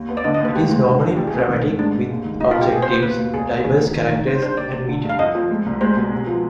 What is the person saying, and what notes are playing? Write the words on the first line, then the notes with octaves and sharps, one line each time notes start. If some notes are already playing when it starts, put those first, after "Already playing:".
It is normally dramatic, with objectives, diverse characters, and metre.
Already playing: D#2
B3
D5
D3 D#5
D#5
D#2 B4
G#3 G4
G#3
G2
G2
C2 G4
G#4
B3
C4
D#3
G#2
G#3 D4
G#2
D#2
D#3
B2 D#4
F4
B3
G4
B2 G#4
C5
B2 B4
D#2 B4
D#2
C2 G#4
B2
D#3 G#4
D#3
D#3
D#3
G3 C5
D4 C5
C3 D5
C3
D3
G2
F5
F2 D#5
F3
G#3
C2
G#3 C5
B2
C3
F3